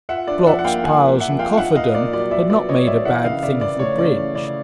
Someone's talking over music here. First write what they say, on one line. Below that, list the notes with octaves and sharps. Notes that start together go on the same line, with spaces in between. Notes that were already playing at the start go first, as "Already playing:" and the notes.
Blocks, Piles, and Cofferdam, had not made a bad thing of the bridge.
F4 E5 F#5
D4 D5
F3 E5 F#5
F#5
A#3 F5 G5
A#3 F#5 G#5
F3
F3 E5 F#5
F4 F5 G5
D#4 E5 F#5
D#4 D#5 F5
A#2 D5
F#3 D5
A#2 D5 E5
B3 D5
B3 C#5 D#5
B3 D5 E5
E3 E5 F#5
C#3 D#5 F5
C#3 D5 E5
C#3 D5
A3 C#5
C#3 D5
E3
C#3 D5